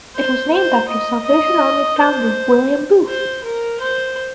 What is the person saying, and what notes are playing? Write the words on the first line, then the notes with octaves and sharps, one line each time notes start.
It was named after Salvation Army founder William Booth.
C5
C5
D#5
D#5
C5
C5
A#4
C5